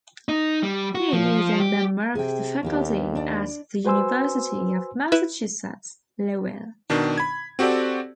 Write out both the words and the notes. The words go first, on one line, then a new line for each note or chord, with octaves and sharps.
He is a member of the faculty at the University of Massachusetts Lowell.
D#4
G3
F#4
F3
G4
C3 G#4 G5
D#2 A#3 B3 G4
D4 D5
F#4 B4 C5 G#5 C6 E6
E4 B4 E5
B2 D#3 D4
B5 G#6
C4 F#4 G4 A4 D5